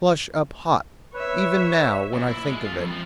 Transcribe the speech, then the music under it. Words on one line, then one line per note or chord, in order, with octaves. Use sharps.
I flush up hot, even now, when I think of it.
B4 C#5 E5
A#2
E4
G#3
F4
F2
F3